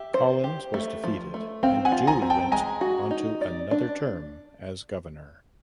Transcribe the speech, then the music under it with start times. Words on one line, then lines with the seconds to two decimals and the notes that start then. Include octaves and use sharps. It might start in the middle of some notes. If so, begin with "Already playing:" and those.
Collins was defeated and Dewey went onto another term as Governor.
Already playing: G4 E5
0.14 C5
0.44 G4
0.74 A3
1.04 F3
1.34 A3
1.63 C4 F5 G5
1.85 F#5 G#5
1.92 F4
2.07 G#5 A#5
2.22 C4
2.30 G5 A5
2.52 G#3 G#5 A#5
2.81 F#4
3.11 D#4
3.41 D5
3.71 D4